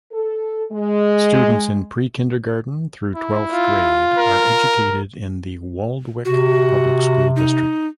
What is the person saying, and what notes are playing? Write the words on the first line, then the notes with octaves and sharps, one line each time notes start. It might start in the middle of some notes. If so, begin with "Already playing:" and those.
Students in pre-kindergarten through twelfth grade are educated in the Waldwick Public School District.
A4
G#3
E4
F4
A#4
C3 F#4
D#4